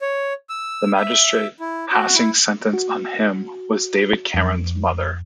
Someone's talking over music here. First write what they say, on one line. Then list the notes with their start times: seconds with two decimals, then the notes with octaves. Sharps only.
The magistrate passing sentence on him was David Cameron's mother.
0.01 C#5
0.49 E6
0.97 E5
1.60 E4
1.92 F#4
2.14 E4
2.73 F#4
4.34 F2